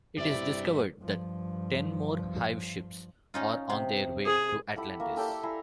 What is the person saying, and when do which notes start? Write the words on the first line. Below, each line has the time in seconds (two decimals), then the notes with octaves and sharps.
It is discovered that ten more hive ships are on their way to Atlantis.
0.18 G2 C3 E4 D5 E5
1.01 G2 F3
3.34 C#4 D#4 F4
3.70 C3
4.25 G#4
4.76 E4 G4 A4 F#5
5.00 A#3 F#4 E5
5.16 G4 A4 D5 G5
5.28 E5
5.43 E4 G#5 A#5 C6